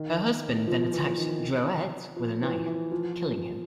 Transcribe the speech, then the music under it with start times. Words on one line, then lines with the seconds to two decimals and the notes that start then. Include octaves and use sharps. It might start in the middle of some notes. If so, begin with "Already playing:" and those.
Her husband then attacked Drouet with a knife, killing him.
Already playing: D#3
0.67 F3
0.92 E3
1.17 D#3
2.16 F3
2.42 E3
2.66 E3
2.91 F3